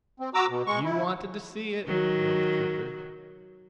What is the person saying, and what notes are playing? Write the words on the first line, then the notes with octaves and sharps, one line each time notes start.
"You wanted to see it," yelled Cooper.
C4
F#4 A#5 D6 E6
B2
G#3 C#6
E4
D#3 F#3